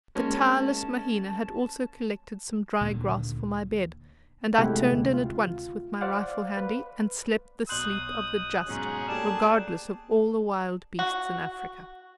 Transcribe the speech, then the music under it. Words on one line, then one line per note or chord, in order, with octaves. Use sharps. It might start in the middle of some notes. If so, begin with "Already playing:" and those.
The tireless Mahina had also collected some dry grass for my bed, and I turned in at once, with my rifle handy, and slept the sleep of the just, regardless of all the wild beasts in Africa.
G#3 A#3 C#4 A5
D2 A#2 D3 D#3
C3 G#3 A3 E4 G4 F#5
D2
F4
C5 D5 F5 F#5
B4
B1 C6 D#6 F#6 G6 F#7
G#2 B2 F#3 C#4 G#4
A#3 G4 A4 D5 A5 E7
F#4